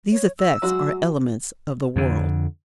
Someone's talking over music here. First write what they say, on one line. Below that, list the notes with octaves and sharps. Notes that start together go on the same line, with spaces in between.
These effects are elements of the world.
C#5
E6
F#3 G#3 F#4
F2 D3